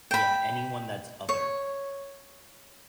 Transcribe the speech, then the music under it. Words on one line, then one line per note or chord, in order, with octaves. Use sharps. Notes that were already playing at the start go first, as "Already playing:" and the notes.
Yeah, anyone that's other.
G5 B5
C#5